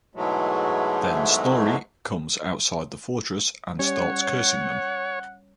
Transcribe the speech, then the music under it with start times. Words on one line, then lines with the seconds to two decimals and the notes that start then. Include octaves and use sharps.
Then Snorri comes outside the fortress and starts cursing them.
0.15 G#2 B2 E3 F#3 G#3 A3
3.79 G3 C#4 C#5 F#5